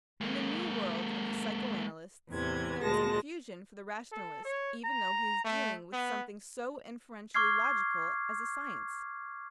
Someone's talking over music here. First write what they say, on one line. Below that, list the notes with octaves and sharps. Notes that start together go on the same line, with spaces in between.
In the new world of the psychoanalysts there is confusion for the rationalist even though he is dealing with something so inferentially logical as a science.
G#3 A#3
E2 A2 C3 E3 G#6
D2 A#2 G#3 A5 A#6
A4
C#5
A#5
A3
B3
C#6 D6 F6 G#6 C7